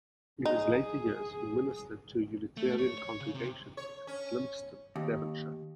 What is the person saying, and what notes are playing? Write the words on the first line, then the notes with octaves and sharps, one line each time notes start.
In his later years he ministered to a Unitarian congregation at Lympston, Devonshire.
D#4 G#4
A3
C#5
C#5
C#3
C3
C#5
C#4
D#2